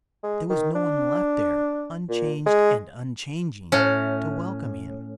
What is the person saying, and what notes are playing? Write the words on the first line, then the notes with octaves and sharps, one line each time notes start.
There was no one left there, unchanged and unchanging, to welcome him.
G#3
D#3
D4
A#2
G#3
A2 C#4